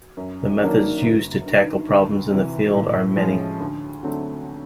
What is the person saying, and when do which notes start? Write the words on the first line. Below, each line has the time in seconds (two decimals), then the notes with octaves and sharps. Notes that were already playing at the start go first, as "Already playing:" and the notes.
The methods used to tackle problems in this field are many.
0.17 F#2
0.60 D#3 F#3 A#3 D4
1.03 G1
1.46 G2 D#3
1.89 D2
2.31 C3 E3
2.74 A2
3.17 F3 G#3 C#4
3.60 D2
4.03 D3 F#3 A3 C4